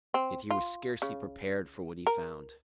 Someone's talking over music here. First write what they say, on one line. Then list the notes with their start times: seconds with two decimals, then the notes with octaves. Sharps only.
Yet he was scarcely prepared for what he found.
0.14 C4
0.51 F4
1.02 C#3
2.07 A#4